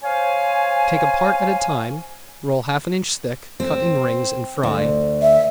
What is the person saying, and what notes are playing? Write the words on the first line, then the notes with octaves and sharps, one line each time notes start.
Take a part at a time, roll half an inch thick, cut in rings and fry.
C5 C#5 F5 G#5
C4
D2
E5